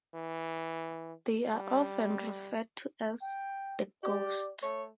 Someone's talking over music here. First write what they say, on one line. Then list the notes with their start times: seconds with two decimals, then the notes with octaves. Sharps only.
They are often referred to as "the Ghosts".
0.14 E3
1.54 G3
3.22 G5
4.03 G4 D5
4.62 A3 C#5